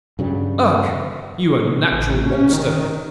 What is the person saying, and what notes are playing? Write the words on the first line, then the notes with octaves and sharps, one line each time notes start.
'Ugh! you unnatural monster.'
G2 C#3 F#3 G3
A1
C#4
D#3